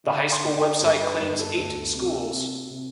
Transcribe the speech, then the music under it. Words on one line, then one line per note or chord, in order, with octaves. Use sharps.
The high school website claims eight schools.
D3 B5
C6
D3
G5
G2 A4
B4
G1 B4
A4
D2 A4
C3
C3
C3